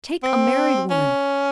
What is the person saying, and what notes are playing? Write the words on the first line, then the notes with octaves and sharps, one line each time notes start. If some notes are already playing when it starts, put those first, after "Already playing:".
Take a married woman.
C4
C#4